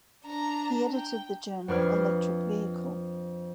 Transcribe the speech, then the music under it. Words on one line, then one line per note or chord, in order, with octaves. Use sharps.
He edited the journal "Electric Vehicle".
D4 A#5
G5
F2 D4 B4 F5 F6 G#6